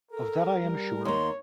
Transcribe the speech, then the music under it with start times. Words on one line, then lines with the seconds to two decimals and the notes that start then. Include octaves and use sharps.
Of that I am sure.
0.11 A4 A#4
0.61 G3
1.05 D#2 A#3 C#5 C6